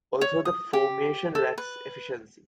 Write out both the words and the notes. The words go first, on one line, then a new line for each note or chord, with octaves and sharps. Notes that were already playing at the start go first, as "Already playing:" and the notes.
Also the formation lacks efficiency.
C#5
D#6
G4
A4
B4